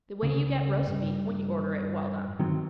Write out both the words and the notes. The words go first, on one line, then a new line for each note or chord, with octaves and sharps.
The way you get roast beef when you order it well done.
C#2 C#3
G2
D#3 F#3 C4